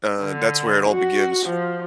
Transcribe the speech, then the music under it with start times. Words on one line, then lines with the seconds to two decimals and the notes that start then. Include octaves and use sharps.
uh, that's where it all begins.
0.21 D3
0.90 F#4
1.46 F3